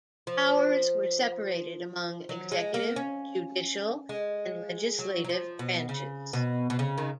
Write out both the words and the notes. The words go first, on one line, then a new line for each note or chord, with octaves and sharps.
Powers were separated among executive, judicial, and legislative branches.
F3
F#3
G#3
A#3
C#4
G#3
F#3
F#3
F3
B2
C#3
B2
B2
C#3
D#3